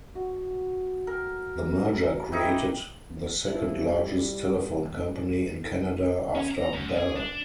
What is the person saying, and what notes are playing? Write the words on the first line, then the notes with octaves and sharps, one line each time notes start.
The merger created the second largest telephone company in Canada after Bell.
F#4
A#4
D#4 E4 G4
C2 F3 G3 E4
C#4
A#5
F#2
G#4
D4